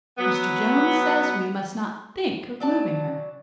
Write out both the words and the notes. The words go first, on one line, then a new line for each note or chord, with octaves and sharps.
Mr. Jones says we must not think of moving her.
F#3 B3
F#3 D5 A5